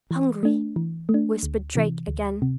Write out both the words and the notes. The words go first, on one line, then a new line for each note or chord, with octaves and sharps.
"Hungry," whispered Drake again.
E3
A3 D4
E3
A3
D4
D2
C3 E3
D2
C3